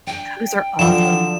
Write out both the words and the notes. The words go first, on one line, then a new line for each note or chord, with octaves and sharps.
Those are awesome.
D4 G5
D3 F3 F#3 E7